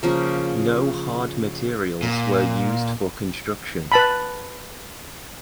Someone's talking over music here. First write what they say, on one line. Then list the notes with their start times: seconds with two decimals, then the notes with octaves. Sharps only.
No hard materials were used for construction.
0.03 C#3 F3 A#3
2.02 A#2
3.92 B4 A5 B5